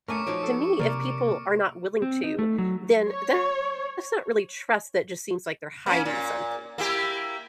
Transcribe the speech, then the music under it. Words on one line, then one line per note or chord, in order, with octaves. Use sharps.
to me, if people are not willing to, then that's not really trust, that just seems like they're hiding something,
G2 A3 C#4 A#4 G#5 C#6 D6 C#7
F3 F#3 D#4 C#5 D7
A4
C3 A#3 A#4 D5
C4
D#4
A3
F#3
C#5
A#3 C#4
A#2
A#3 E4 G4